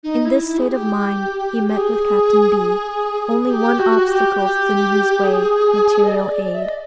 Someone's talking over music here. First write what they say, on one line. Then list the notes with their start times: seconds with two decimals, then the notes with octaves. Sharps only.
In this state of mind he met with Captain B. Only one obstacle stood in his way--material aid.
0.03 D#4
0.25 E4
0.47 E4
0.58 G#4
0.68 G4
1.67 G4
1.77 G#4
3.50 G4
3.78 F#4
4.08 G4
4.37 G4
5.23 G#4
6.04 D#5
6.10 D5
6.53 E5
6.62 D#5
6.70 D5